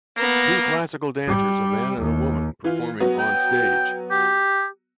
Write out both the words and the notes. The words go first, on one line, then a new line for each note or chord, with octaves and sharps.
Two classical dancers, a man and a woman, performing on stage.
A#3 B3 A#5
G3
D#2
E3 F4
F#3 B3 F#4
G5
G4